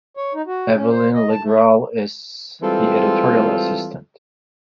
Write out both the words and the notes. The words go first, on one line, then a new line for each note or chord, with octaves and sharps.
Evelyne Le Grall is the editorial assistant.
C#5
D#4
F#4
C#4
C5
D#5
A5
A3
E3 G3 G#3 C4 F4 A4